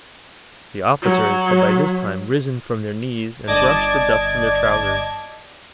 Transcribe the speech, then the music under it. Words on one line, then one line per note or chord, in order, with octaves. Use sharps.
The officers had by this time risen from their knees and brushed the dust from their trousers.
F#3
G1 D5 D#5 A5 D6 G#6